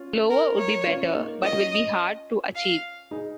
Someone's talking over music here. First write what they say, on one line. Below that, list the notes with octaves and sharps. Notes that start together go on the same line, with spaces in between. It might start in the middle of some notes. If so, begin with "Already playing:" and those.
Lower would be better but will be hard to achieve.
Already playing: C#4 F4
A#4
C#5
C#4 F4
A#3 D#4
C#4 F4 D#5
F5
D#4 G#4